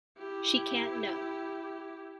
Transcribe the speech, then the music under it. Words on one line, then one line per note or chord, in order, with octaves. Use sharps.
She can't know.
E4 G4